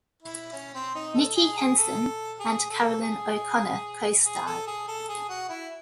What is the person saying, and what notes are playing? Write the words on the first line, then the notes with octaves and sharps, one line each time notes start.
Nicky Henson and Caroline O'Connor costarred.
E4
C#4
C4
D#4
A4
G#4
G#4
A4
G#4
A4
G#4
G#4
A4
G#4
A4
G#4
F#4
E4